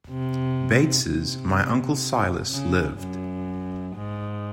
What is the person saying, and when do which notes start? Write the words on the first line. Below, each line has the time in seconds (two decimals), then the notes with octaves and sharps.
Bates's "My Uncle Silas" lived.
0.10 C3
1.06 C3
2.51 C#3
2.99 F#2
3.96 G#2